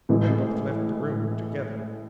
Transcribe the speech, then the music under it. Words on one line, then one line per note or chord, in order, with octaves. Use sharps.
They both left the room together.
A1 A2 E3 G#3